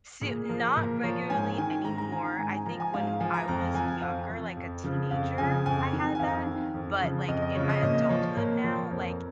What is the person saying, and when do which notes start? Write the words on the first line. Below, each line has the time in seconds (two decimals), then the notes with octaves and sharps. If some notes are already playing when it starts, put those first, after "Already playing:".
Soo Not regularly anymore. I think when w I was younger, like a teenager, I had that, but, like, in my adulthood now, like,
0.21 A#2 G#4
0.49 F3 A#4
0.76 A#2 A#4
1.03 F3 C#5
1.30 G#2 G#5
1.58 D#3 G#5
1.85 G#2 A#5
1.98 A#5
2.12 D#3 G#5
2.25 A#5
2.39 G#2 G#5
2.52 G#5
2.66 F3 A#5
2.80 G#5
2.94 G#2 F5
3.07 F5
3.20 F3 G#5
3.34 A#5
3.48 F2 A#5
3.74 F3 G#5
4.02 F2 F5
4.30 F3
4.57 F2
4.84 C#3 F3
5.11 F2 F5
5.38 C#3 F3 G#5
5.66 F2 G#5
5.93 D#3
6.15 G#5
6.20 F2 F5
6.47 D#3
6.74 F2
7.01 C#3 F3
7.28 F2 D#5
7.42 D#5
7.55 C#3 F3 C#5
7.69 D#5
7.82 A#2 D#5
8.09 F3 C#5
8.37 A#2 A#4
8.64 F3 C#5
8.91 F2 A#4